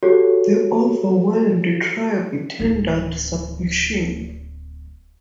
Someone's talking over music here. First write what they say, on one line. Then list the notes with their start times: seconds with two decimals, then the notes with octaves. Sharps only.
The overwhelmed tribe tendered submission.
0.03 F#4 G4 A4 C#5
2.60 D1 D#4